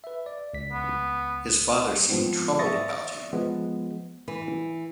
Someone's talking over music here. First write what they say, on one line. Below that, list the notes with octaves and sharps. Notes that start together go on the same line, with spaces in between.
His father seemed troubled about him.
B4 E5
D5
C#2 B6
B3
G#2 F3 B3 C4
D5 E5 C#6 D#6 A6 A#6
F3 G#3 B3
E3